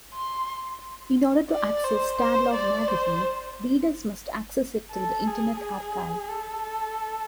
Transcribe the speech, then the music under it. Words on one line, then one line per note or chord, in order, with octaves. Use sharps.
In order to access Starlog magazine, readers must access it through the Internet Archive.
C6
D5
C5
C5
D5
C5
A4
G#4
G#4
A4